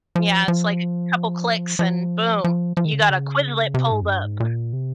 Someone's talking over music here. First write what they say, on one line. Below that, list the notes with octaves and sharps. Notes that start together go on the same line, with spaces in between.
Yeah, it's, like, a couple clicks and boom, you got a Quizlet pulled up,
F3
F3
F3
F3
F3
D#3
C#3
D#3
C#3
C3
G#2
F2
G2
G#2
A#2
C3